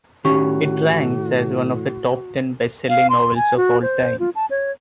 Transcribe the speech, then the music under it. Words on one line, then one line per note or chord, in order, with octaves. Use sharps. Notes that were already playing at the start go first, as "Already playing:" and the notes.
It ranks as one of the top-ten bestselling novels of all-time.
A2 D#3 C#4 F#4 G4 C#6
F5
C6
G#5
F#4
C5
F4
A5
C#5